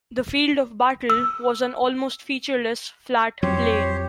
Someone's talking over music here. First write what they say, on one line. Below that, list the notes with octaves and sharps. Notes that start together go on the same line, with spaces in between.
The field of battle was an almost featureless, flat plain.
E6
F2 F#3 G4 C5 C#5